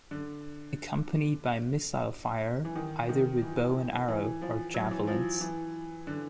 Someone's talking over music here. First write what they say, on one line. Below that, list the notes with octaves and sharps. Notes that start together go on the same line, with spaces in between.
Accompanied by missile fire, either with bow and arrow or javelins.
D3
E3
D#3
D#3
E3
E3
F3
F#3
E3
F3
E3
D3